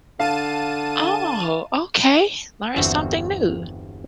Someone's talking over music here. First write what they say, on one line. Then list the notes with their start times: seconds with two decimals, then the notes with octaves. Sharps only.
Oh, okay. Learned something new.
0.20 D3 F5 A5 D#7
2.76 G1 E2 G2 C4 F#4 E5